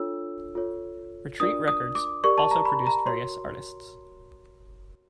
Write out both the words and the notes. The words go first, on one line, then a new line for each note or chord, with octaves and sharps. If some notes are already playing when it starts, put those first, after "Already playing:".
Retreat Records also produced various artists.
Already playing: D4 F4 A4 C#5 E6
F4 A4 C#5
D4 F4 A#4 D5 D#6
D#6
D6
G4 A#4 D5 C#6
A5
A#5
B5
A#5
F#4 A#4 C#5 C6